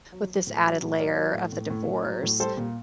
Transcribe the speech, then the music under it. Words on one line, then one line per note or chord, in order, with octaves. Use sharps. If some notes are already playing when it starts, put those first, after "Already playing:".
with this added layer of the divorce.
F#3
F#3
A2
F#3
A2
F#3 A#4 D5
F#3
A2
A2
A2
A2
F#3
A2
G3 A4 C5
A#2